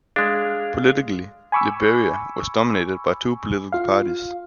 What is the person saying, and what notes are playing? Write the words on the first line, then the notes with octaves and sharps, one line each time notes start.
Politically, Liberia was dominated by two political parties.
G#3 D4 G#4 F5
G#5 B5 C#6 D6 E6
F4 F5